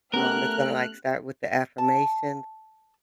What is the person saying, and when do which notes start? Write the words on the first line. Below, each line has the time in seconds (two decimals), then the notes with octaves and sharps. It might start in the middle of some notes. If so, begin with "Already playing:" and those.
um, is gonna, like, start with the affirmations,
0.14 A3 B3 C#4 G4 A#4 F6 F#6
1.78 A5